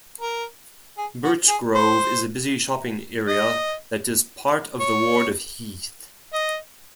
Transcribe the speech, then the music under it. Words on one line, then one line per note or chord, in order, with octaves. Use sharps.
Birchgrove is a busy shopping area that is part of the ward of Heath.
A#4
G#4
F#4
G#4
C5
D#5
C#5
D#5